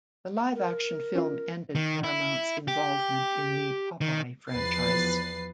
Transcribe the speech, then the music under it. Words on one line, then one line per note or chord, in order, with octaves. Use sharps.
The live-action film ended Paramount's involvement in the "Popeye" franchise.
A#4
C#4 F4
D#3
E4
G4
D#3
E2 F3 B4 A6 C7